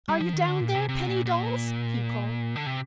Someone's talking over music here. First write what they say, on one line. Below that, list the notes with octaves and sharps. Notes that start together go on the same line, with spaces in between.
"Are you down there, penny dolls?" he called.
G3
F3
D#3
D3
A#2
C3
C3
A#2
A#2
D3
C3